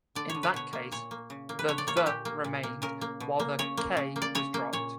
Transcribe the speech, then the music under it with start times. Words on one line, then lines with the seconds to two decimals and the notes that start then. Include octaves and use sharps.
In that case, the "th" remained while the "k" was dropped.
0.15 D3 D5
0.29 C#5
0.35 D3
0.43 B4
0.54 B2 C#5
0.73 A#3
0.92 A#2 C#5
1.11 A#3
1.30 C#3
1.49 A#3
1.59 B4
1.68 D3 C#5
1.78 D5
1.87 A#3 C#5
1.97 B4
2.06 A#2 G4
2.25 A#3
2.44 A#2
2.63 A#3
2.82 C#3 A#4
3.01 A#3
3.20 B2
3.40 A#3
3.59 C#3 C#5
3.77 A#3
3.97 C#3
4.16 A#3
4.22 D5
4.35 C#3 C#5
4.54 A#3
4.73 A#2 C#5